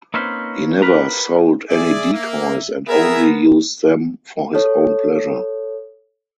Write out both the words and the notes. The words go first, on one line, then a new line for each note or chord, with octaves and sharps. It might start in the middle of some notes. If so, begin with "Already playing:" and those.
He never sold any decoys and only used them "for his own pleasure".
A#3 C4 C#4 D#4 B4 C5
A#4 B4 A#5
G#4 D5 E5
A#3
B3 G#4 A#4 E5
A4 C#5